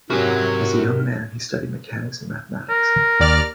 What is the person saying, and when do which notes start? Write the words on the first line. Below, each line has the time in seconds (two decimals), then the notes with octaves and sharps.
As a young man, he studied mechanics and mathematics.
0.10 G#2 C3 F#3 F#4 A#4 G#5
2.69 A#4
3.20 D#2 D5 F6